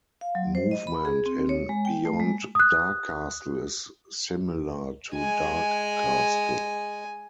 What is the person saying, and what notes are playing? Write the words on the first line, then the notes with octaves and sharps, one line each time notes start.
Movement in "Beyond Dark Castle" is similar to "Dark Castle".
F5
F#3
C5
D#5
B5
G#4
C4
C#5
G#3
G5
A3
G#3
D#6 F#6
G#3 G#5